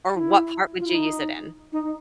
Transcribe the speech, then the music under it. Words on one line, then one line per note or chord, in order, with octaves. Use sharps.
Or what part would you use it in?
E4
F4
E4
D#4
D#4